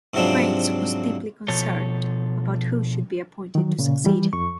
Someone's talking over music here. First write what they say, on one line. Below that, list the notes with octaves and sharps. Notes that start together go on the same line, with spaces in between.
Raynes was deeply concerned about who should be appointed to succeed him.
G#2 C3 F3 F#3 C4 D4
B2 F3 A4 C#5
D#3 F#3
A#2 C#3
E3 G3
F2 C#6